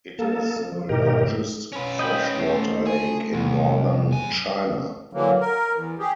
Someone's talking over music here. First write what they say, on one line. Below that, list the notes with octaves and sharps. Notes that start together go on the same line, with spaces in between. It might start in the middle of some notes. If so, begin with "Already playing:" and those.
It is the largest freshwater lake in northern China.
A#3 A4
F3
G#2 B2 D#3 G4 A#4
C#4 B4
D#5 G5 B5
A3 C5
G#4
C2
F#2 G#5
D3 E3 F#3 A#3
A#4
E2
G4 G#4